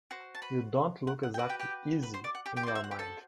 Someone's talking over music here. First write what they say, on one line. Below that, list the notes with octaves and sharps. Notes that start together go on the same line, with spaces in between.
You don't look exactly easy in your mind.
F#4 C5
A5
B4 B5
F#5
F#5
G5
F#4 B4 D5 F#5
G4 G5
G4 G5
B4 B5
C5 C6
D5 D6
F#5
G4 G5
G4 G5
C6
F#4 C5 D5 D6
E5
F#5
G4 G5
A4 A5